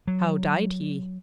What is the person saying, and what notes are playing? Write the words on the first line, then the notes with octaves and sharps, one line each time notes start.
"How died he?"
F#3